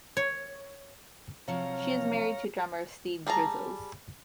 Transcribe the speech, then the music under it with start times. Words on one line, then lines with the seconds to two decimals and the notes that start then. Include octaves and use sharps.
She is married to drummer Steve Drizos.
0.17 C#5
1.48 C3 F3 F#3 C#5 F5 A#5
3.27 G3 G#4 A5 A#5